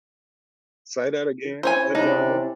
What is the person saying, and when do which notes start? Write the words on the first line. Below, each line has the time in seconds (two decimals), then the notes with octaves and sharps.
say that again. What did y'all do?
1.63 C#4 E4 C5 C#5 G#5
1.95 C3 D4 D#4